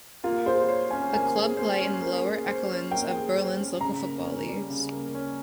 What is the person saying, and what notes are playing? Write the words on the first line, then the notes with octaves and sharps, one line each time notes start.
The club play in the lower echelons of Berlin's local football leagues.
A#3 F4
G#4 C5
C5 C#5
C#4 G#5
A#3 G#5
G#4
C5
C#4
A#3
G#4
C5
C#4
A#3 G5
G#4
C5
C#4
C#3 A#5
A#3
C#4
G3
C#3
A#3
C#4